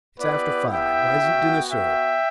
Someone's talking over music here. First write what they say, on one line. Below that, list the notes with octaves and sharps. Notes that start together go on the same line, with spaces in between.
'It's after five; why isn't dinner served?'
B3 E4 G4 B4 D5
E5 G5
B3 F#4
E5 G5